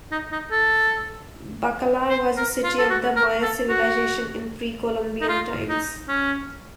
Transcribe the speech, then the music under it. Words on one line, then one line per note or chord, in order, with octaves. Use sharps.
Bacalar was a city of the Maya civilization in Pre-Columbian times.
D#4
D#4
A4
C5
A#4
F4
A4
F#4
A#4
A4
F#4
D#4
F4
D#4
C#4